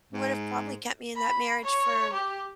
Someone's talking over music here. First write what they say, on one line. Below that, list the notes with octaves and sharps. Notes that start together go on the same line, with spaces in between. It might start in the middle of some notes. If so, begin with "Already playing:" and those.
would have probably kept me in that marriage for
G#2
B5
C#5
G4